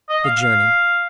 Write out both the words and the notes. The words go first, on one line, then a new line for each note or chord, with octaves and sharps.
The Journey.
D#5
F5
F5